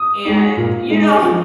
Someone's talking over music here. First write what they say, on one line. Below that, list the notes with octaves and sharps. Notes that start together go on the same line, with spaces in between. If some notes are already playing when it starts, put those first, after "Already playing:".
And, you know,
Already playing: D#6
G#3 D#4
A#2
G#3 D#4
F3